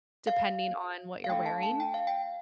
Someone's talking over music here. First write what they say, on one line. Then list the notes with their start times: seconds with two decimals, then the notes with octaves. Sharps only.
depending on what you're wearing,
0.27 F5
1.24 F5
1.28 A3 D4 A4 G5
1.46 A5
1.63 A5
1.80 G5
1.94 F5
2.07 G5